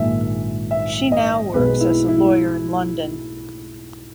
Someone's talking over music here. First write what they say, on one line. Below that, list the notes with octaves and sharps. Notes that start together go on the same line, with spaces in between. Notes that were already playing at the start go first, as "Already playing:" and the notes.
She now works as a lawyer in London.
Already playing: A#1 G#2 D#3 E5
E5
D#5
B1 B2 G#3 B3 B4
E4
E4